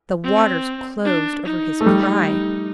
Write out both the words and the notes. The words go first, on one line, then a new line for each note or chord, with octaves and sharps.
The waters closed over his cry.
C4
D4
D#4
A3
G3